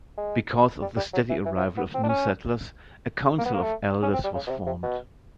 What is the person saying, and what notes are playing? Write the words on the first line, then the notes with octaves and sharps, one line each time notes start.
Because of the steady arrival of new settlers, a council of elders was formed.
G#3
G3
G3
F#3
E3
E3
F3
B3
C4
D4
C#4
A#3
B3
A#3
A3
C#4
C4
G3
C#3
B2
C3
C3
B2